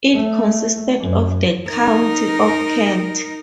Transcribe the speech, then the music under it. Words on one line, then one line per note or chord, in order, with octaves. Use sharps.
It consisted of the County of Kent.
A3
F#2
D#4 A#4